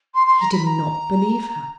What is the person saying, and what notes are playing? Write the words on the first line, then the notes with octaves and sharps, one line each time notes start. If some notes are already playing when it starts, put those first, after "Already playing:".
He did not believe her.
C6
C6
A#5
B5
A#5